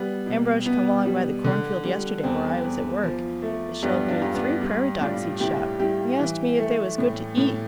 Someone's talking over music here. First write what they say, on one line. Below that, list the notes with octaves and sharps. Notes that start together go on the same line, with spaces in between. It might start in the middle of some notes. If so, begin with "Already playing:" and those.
Ambrosch come along by the cornfield yesterday where I was at work and showed me three prairie dogs he'd shot. He asked me if they was good to eat.
Already playing: G3 B3
B2
B2 B3
G3
D3
G3
E2 C4
E2
F3
A3
G2 B3 D4
D4 F4
G2
B3 D4
G3
A2 D4 F4
A2 E4 G4
G3 E4 G4
E3
A3
A2
A2